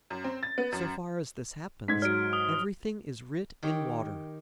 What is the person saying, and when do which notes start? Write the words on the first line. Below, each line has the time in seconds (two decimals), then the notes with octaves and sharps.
So far as this happens, everything is writ in water.
0.10 F#2
0.24 C4
0.43 A6
0.58 B3
0.72 F#2
1.88 G#2 G#6 B6
2.02 F#3 F6 D7
2.33 D#6 G7
3.63 D#3 G4 C#5